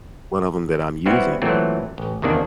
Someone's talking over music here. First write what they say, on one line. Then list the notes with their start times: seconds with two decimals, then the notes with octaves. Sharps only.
one of 'em that I'm using,
1.06 G3 B3 C4 E4 F#4
1.42 A#2 E3 F#3 A3 C4
1.98 A1
2.22 E2 C3 D#3 A#3 D4